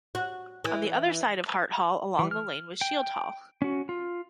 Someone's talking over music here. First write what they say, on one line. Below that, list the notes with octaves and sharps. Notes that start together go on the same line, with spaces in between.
On the other side of Hart Hall along the lane was Shield Hall.
F#4
E3
E3
F6
G5
C#4 F#4
F4